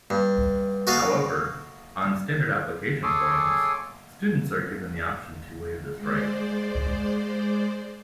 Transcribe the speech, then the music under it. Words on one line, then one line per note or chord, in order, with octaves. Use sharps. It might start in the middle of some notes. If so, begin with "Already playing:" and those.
However, on standard application forms, students are given the option to waive this right.
G2
F#4 A4 D#5 F5
G#4 A4 C#5 G#5 C6 D6
G#3 C5 D5